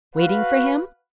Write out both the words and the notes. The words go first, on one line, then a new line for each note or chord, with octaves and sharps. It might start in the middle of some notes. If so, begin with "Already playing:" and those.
Waiting for him?
F#4 B4 F5